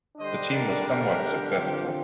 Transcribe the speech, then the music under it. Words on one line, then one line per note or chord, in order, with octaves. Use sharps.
The team was somewhat successful.
D3 G3 D4 C5 D#5
A#4 D5
G4 A#4
D3 F3 C4 G4